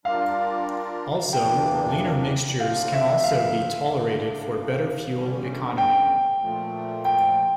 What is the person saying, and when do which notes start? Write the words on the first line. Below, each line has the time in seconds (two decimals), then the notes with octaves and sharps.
Also, leaner mixtures can also be tolerated for better fuel economy.
0.05 G3 D4 F4 A#4 D5 F5
1.33 E2 E3 A#3 D4 G5
2.60 D2 D3 F3 F5
2.92 E5
3.24 F5
3.87 C#3 G3 D4
5.14 E2 D3 G3 C#4
5.78 G5
6.41 A#2 F3 A3
7.05 G5